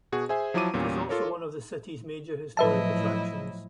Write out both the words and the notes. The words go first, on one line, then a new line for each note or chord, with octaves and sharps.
It is also one of the city's major historic attractions.
B2 F#4 G#4
G#4 C5 E5 G#5
F3 F#3 E4 A5 D6 D#7
E2 A#2 G3 C#4
F4 A4 A#4 C#5
A2 F3 F#3 E4 B4 D#5 E5 A5